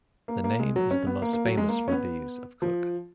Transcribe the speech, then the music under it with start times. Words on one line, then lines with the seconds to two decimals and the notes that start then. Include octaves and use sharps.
The name is the most famous for these of Cook.
0.28 A#3
0.44 A#3
0.59 G#3
0.76 F#3
0.91 C#4
1.07 B3
1.22 A#3
1.33 A#3
1.46 F#3
1.57 G#3
1.68 A#3
1.88 C#4
1.92 B3
2.62 F3